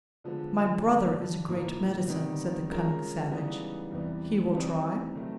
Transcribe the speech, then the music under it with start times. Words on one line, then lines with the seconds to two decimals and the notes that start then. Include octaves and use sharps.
"My brother is a great medicine," said the cunning savage; "he will try?"
0.24 D3 F3 G#3 B3
0.86 G2 D3 G3
1.48 A2 F3 A#3 D#4
2.08 C3 D#3 G3 B3 D#4
2.69 G#3 C#4 F4 A#4
3.31 C#3 E3 G3 B3 D#4
3.92 E2 C3 E3 G3
4.54 C3 E3 G3 C4 D#4
5.15 D#3 F#3 A3 C4